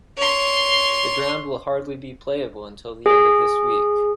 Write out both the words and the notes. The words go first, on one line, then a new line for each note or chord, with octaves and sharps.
The ground will hardly be playable until the end of this week.
C#5 C6
G#4